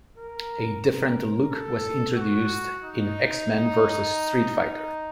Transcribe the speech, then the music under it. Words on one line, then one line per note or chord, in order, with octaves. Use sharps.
A different look was introduced in "X-Men versus Street Fighter".
A#4
A#4
A4
F#4
D#4